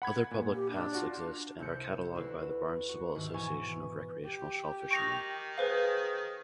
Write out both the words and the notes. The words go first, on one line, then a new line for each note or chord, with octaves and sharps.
Other public paths exist and are catalogued by the Barnstable Association of Recreational Shellfishermen.
F#5 B5 G#6
A#2
G4
D4
F4 F#4 D5
C2 C3 A4 F#6 G6 C#7
D2 E4 B4 C7
F#4
C2 G#2 D#3
B2 E3 E4 G#5 C#6
G4
D#3 C#6 A#6 F7
G#4 B4 C5 F5